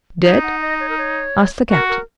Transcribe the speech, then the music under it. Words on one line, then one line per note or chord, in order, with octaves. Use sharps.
"Dead?" asked the captain.
D#4 C#5
F#5
D#5
C#5
A#4
C#5
F#4 A#4
A#4